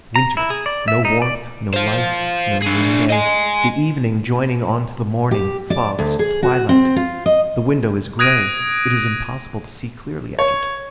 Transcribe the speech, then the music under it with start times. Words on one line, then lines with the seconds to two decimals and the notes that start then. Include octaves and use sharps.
Winter: no warmth, no light, no noonday, the evening joining on to the morning, fogs, twilight; the window is gray; it is impossible to see clearly at it.
0.16 A#5
0.37 E4
0.50 G#4
0.66 D5
0.88 E5
1.05 D#4
1.22 D5
1.74 C5 F5
2.62 D4 G#4
3.10 D#5 G#5
5.31 G4
5.70 D5
5.99 D2
6.19 G#4
6.43 F#4
6.69 C4
6.96 F4
7.26 D#5
8.19 D#6 F#6 G#6 A#6 D7 D#7
10.39 C#5